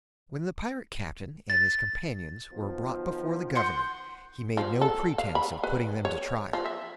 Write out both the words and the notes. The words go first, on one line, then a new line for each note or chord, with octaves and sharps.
When the pirate captain and his companions were brought before the Governor, he made no pretence of putting them to trial.
A6
B2 D#3 F3
F#5 C6 G6
F3
A4
F5
B5
B4
C#5
F3
E5